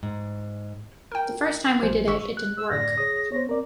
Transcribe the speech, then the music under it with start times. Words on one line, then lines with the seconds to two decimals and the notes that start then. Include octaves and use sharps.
The first time we did it, it didn't work.
0.03 G#2
1.12 A#4 G5
1.83 A#1 B2 C5 G#5
2.07 G#1 D3 G#3 C#6 E6 B6
2.37 F#6
2.57 E6
2.70 F#2 A2 D3 D5 A#6
2.98 G#4 C#5 D#6
3.32 B3 C5 C#5
3.47 C4 A#4 D5